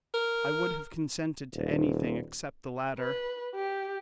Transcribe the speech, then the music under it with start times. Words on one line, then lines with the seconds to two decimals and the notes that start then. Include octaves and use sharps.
I would have consented to anything except the latter.
0.14 A#4
1.54 D#1
2.99 B4
3.55 G4